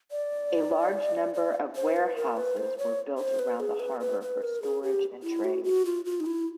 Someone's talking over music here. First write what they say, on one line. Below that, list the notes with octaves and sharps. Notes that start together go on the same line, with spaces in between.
A large number of warehouses were built around the harbour for storage and trade.
D5
D5
C5
B4
A#4
B4
C5
C#5
C5
B4
G#4
B4
B4
B4
A#4
G#4
G4
E4
F#4
F#4
F4
F4
D#4
E4